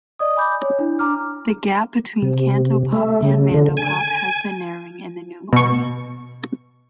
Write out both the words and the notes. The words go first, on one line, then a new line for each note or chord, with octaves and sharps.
The gap between cantopop and mandopop has been narrowing in the new millennium.
D5 D#5 D#6
G#5 B5 D6 G6
C#5
D4 E4
D4 A#5 D6 F6
C3
A3
C#3
D3
G#5
B2 C#6